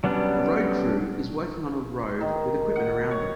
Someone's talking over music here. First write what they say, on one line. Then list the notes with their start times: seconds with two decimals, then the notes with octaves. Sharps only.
A road crew is working on a road with equipment around them.
0.04 F#3 G3 B3 C#4 D4
2.21 D#3
2.76 F#5
3.11 C#5